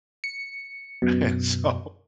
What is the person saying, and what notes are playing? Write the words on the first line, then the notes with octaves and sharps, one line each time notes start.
And so,
C#7
F#2 B2